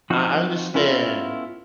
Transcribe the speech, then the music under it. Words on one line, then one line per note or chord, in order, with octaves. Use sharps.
I understand
F3 C4 D#4 F#4
B3 C#4 E4 F4 A4